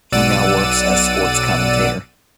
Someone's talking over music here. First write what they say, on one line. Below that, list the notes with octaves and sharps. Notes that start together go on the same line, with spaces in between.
He now works as sports commentator.
B1 D5 F#5 E6 A6 D#7